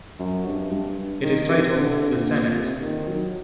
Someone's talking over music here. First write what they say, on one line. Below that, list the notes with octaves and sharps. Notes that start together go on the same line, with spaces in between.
It is titled, The Senate.
F#2
G2
G2
D#3
C3
D3
A#2
C3
D#3
F#3